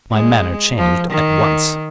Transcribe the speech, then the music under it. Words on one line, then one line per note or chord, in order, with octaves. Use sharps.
My manner changed at once.
G#3
F3
D#3